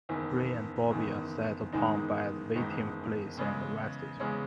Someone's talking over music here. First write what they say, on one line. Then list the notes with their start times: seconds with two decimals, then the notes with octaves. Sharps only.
Ray and Bobby are set upon by the waiting police and arrested.
0.09 F#1 E2 D#3
0.90 F#1 E2 D#3
1.73 F#1 E2 D#3 G#3 D#4
2.56 F#1 E2 D#3 G#3 D#4
3.37 E2 C#3 G#3 C#4
4.20 E2 C#3 G#3 C#4